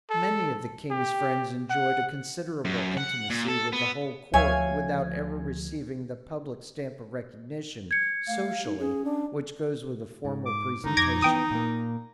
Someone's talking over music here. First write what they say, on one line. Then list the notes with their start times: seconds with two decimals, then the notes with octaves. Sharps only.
Many of the king's friends enjoyed a considerable intimacy with the whole court without ever receiving the public stamp of recognition, socially, which goes with a formal presentation.
0.11 A4
0.91 G4
1.70 F#5
2.65 F#2
2.97 F#5
3.30 A#2
3.48 A4
3.73 B3
4.34 D2 F3 C#5 E5 F5 G#5
7.91 G#6 C#7
8.28 A3 F5
8.66 D#4
8.79 C#4 G#4
9.05 D4
10.25 G#2
10.46 D6
10.84 D3 D#3 D#4
10.97 F2 D6 G#6 A#6
11.22 E3 B3 G5 D#6
11.51 A#2 A#3